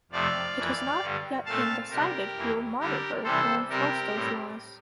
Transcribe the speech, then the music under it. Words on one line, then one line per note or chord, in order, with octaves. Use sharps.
It has not yet been decided who will monitor or enforce those laws.
F2 C3 F3 A3 D5 F5
F2 E3 A#3
G2 D3 G3
A#2 A3 C4 F5 A5
C3 G3 D4 G4 A#4
F2 E3 A#3
D3 G3 D4 G4 A#4
C3 E3 G3 C4 A4 C5
C3 G3 C4 G4 A#4
A2 G3 C4